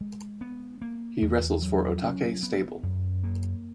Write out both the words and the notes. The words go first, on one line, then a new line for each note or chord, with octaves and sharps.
He wrestles for Otake stable.
G#3
B3
A#3
E2
F#3
C#4
B3
F#2
A#3